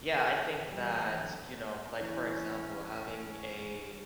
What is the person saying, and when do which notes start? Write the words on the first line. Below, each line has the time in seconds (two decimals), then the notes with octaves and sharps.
Yeah, I think that you know, like, for example, having a
0.17 A4 A#4 C5 E5
0.46 E3 A4
0.71 G3 G5
1.19 B2 D3 F#3
1.99 E3 C#4 D4 E4 C#5